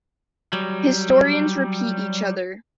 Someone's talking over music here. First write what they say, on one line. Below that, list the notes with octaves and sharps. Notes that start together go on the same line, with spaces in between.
Historians repeat each other.
F#3 G3